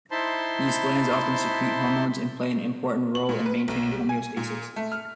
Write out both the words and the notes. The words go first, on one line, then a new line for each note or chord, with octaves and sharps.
These glands often secrete hormones, and play an important role in maintaining homeostasis.
D#4 E4 C5 A5 B5 C6
F#7
A#2
B4
B1
G3
G#5
A#2
A3
F6